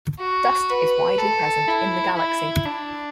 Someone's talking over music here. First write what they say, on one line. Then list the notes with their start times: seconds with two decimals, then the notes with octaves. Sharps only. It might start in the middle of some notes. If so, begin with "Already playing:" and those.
Dust is widely present in the galaxy.
0.20 F#4
0.70 B4
1.18 A4
1.68 E4
2.16 E4
2.65 D4